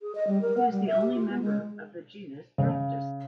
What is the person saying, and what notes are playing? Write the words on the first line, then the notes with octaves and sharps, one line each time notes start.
It is the only member of the genus "Deroptyus".
G#4
D#5
G3
A#4
F#5
G3
E5
G4
F4
B3
G#3
C#3